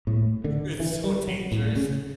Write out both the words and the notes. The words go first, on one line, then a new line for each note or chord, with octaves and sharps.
It's so dangerous.
A2
D3
E3
G3
F#3
A2
C#3